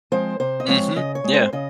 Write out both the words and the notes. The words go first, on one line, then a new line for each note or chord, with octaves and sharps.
Mhm. Yeah.
F3 G#3 C4 C5
C3 C5
D#5
F3 G#3 C4 C#5
C#3 D#5
C#5
G#3 C4
C5
C#3 D#5